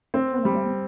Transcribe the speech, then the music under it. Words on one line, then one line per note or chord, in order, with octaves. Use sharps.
Oh my god.
C4
G3